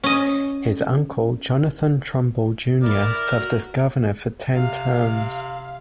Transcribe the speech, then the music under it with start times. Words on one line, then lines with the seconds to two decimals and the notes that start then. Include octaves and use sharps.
His uncle, Jonathan Trumbull Junior served as governor for ten terms.
0.04 C#4 D#5
2.82 E4 A#4 D5 E5 A6
3.28 F#4
4.54 C3 F5